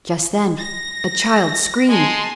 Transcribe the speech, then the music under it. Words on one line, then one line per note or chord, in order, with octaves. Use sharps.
Just then a child screamed.
A#6
G#3 G#5 A5 C6